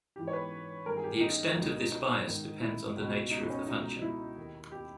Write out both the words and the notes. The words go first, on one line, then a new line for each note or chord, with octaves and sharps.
The extent of this bias depends on the nature of the function.
G#2 E3 G4
C#5
B4
G2 D#3 A#4
G#4
G4
D#4
C#2 B2
D#4
G#2 D#3
E4
C#2 B2
D#4
C#4
C#2 B2 D#4
D#4
E4
D#2 D#3
G4